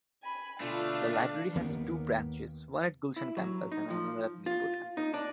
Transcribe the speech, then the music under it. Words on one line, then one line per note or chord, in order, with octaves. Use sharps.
The library has two branches: one at Gulshan Campus and another at Mirpur Campus.
G#5 B5
B2 D3 A3 D4 F4 F5
D#2 D#3 A#3 B3
E4
F#3
D#4
F3
F4
D#4
D4